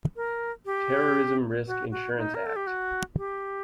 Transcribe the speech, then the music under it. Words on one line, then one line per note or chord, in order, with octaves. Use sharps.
Terrorism Risk Insurance Act.
A#4
G4
F#4
F#4
D#4
A#4
A4
G4
F#4
G4